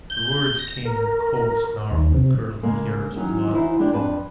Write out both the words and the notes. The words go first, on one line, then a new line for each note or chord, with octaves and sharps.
The words came in a cold snarl that curdled the hearer's blood.
G6
A#6
A#4
D#2
C3
C#3 G#3 A#3 G#4 A#4
D#2 E3 F#3 C#4 D#4
E3 D#4 E4 F#4 C5
G#3 D4 G4 G#4 C5
F2 D4 B4 G#5 A5